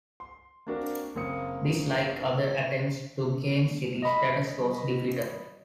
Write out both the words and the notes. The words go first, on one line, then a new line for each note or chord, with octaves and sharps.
This, like other attempts to gain city status, was defeated.
C6
A#3 C4 D4 F#4 A#4
F#1 A#3 C4 D#6 C#7
D#5 B5